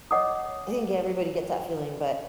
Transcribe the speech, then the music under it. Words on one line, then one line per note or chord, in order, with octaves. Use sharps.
I think everybody gets that feeling, but
C#5 D#5 F#5 D6 D#6